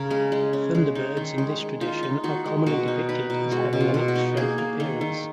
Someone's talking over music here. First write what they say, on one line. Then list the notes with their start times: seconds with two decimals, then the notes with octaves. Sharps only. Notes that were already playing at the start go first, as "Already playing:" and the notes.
Thunderbirds in this tradition are commonly depicted as having an X-shaped appearance.
Already playing: C#3 C#4 A#4
0.10 G#3 G#4
0.32 G#3
0.53 C#4
0.75 G#3
0.95 D#4
1.17 D#3
1.38 G#3
1.60 G#3
1.81 D#4 F4
2.03 D#4
2.24 D#3 F#4
2.46 G#3
2.66 B2 F#4
2.88 D#4
3.09 D#4 B4
3.30 B2
3.52 G#3 F#4
3.73 B2
3.81 F4
3.94 B2
4.08 F#4
4.15 D#4
4.37 A#3 G#4
4.58 A#3
4.80 D#3
5.01 D#3